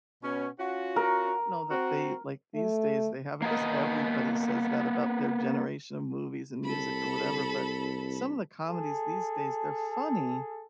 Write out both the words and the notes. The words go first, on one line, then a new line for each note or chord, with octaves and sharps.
I don't know that they like, these days, they have I guess everybody says that about their generation of movies and music, or whatever, but some of the comedies these days, they're funny,
B2 B3 C#4
C#4 F4 F#4
A#4
C4 F#4
A3
A#3 B3 D#5
C2 A4 B5
G#4 A4